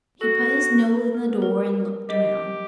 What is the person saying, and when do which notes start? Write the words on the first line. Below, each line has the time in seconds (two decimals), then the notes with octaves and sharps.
He put his nose in the door and looked around.
0.21 F#4 A4
1.15 A#4
1.29 B4
1.42 A#4
2.09 G4 D#5